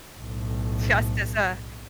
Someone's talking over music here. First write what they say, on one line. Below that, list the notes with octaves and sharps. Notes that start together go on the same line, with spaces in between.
just as a
B1 A2